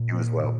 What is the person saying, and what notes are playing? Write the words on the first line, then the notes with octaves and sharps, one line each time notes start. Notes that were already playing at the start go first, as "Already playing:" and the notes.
You as well.
Already playing: A#2
A#3
A#2